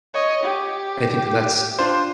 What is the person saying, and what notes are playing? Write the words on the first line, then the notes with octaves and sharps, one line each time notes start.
I think that that's
C#5 D#5
G4
D4 F4 C5